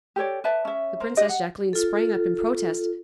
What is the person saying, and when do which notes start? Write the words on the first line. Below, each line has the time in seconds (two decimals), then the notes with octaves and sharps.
The Princess Jacqueline sprang up in protest.
0.16 G4 A4 C#5 D5
0.44 B4 D5 E5 A5
0.65 C#4 E5
1.00 A#4 C5
1.17 D4 G4 D#5
1.29 F#5
1.73 F4 A4